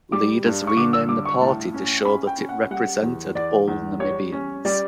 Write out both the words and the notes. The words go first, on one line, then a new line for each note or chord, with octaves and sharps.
Leaders renamed the party to show that it represented all Namibians.
G3 D6
G2
C#6
D3 D6
E6
G2 D6
C#6
A2 A5
C#4
C#4 B5
G5
C#4
F#5
G3 F#5
E2
E2 D5
E2
G3 C#5
C#4
G3 D5